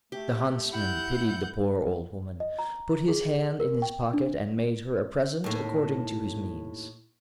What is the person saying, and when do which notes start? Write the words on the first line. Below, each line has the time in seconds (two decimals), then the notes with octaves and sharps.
The Huntsman pitied the poor Old Woman, put his hand in his pocket, and made her a present according to his means.
0.12 A3 G4
0.73 E4 F#5 G6
2.40 D#5
2.59 A#5
3.08 G#4
3.60 A#4
3.82 G5
4.13 D4
5.44 D#2 A2